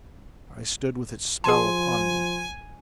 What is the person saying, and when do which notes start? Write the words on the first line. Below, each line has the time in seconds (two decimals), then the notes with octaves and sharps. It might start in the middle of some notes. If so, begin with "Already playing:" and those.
I stood with its spell upon me.
1.44 F3 G#4 G#5 A5 C6